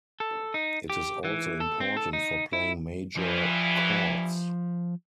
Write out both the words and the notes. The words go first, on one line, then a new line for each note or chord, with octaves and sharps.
It is also important for playing major chords.
A4
D#4
G4
E3
A4
C4
A4
D#4
E4
G2 E3 F3